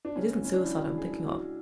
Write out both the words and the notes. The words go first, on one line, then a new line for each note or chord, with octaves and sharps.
It isn't suicide I am thinking of.
D4
C#2 C#3 G#3 C#4
C#4
D4
E4
F#4
G#4
F#4